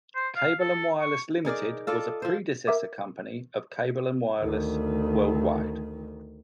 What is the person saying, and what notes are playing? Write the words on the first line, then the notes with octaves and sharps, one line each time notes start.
Cable and Wireless Limited was a predecessor company of Cable and Wireless Worldwide.
C5
F5
A4
C#6
D#4 G#4 A#4 D5
F4 A4 D5 D#5
F3 C5
A#4 E5 D6
D2 D#3